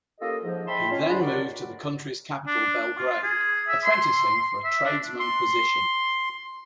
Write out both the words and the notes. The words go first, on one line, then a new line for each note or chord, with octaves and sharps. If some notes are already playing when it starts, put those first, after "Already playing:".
He then moved to the country's capital Belgrade, apprenticing for a tradesman position.
A#3 C#4 F4 G4 A4 D#5
G#2 F3
D#5 E5 G5 A5 B5 C6
C#4 F4
G#2 D4 B5
G3 F#4 A#4 C#5 D5
D4
F4
G#4
E5
C6
E5
D4
C6